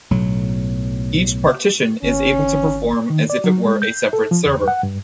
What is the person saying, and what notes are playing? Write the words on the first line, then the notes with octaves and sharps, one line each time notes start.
Each partition is able to perform as if it were a separate server.
B1 A2 F#3
G#1 C#4
D#3
D5
F#3
G#3
G6
A4
F3
E2
F#5
G2